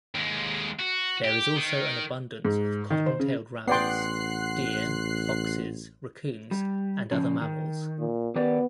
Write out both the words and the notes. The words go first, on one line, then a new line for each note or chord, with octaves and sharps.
There is also an abundance of cotton-tailed rabbits, deer, foxes, raccoons, and other mammals.
D#2 G#3
F#4
G4
D#3
G#2
D#3
C5
C#3
A1 B3 D5 F#5 G5 C6 F#6 C7
G3
C#3 F3
D#3
A#2
D#3 B3 G4 D5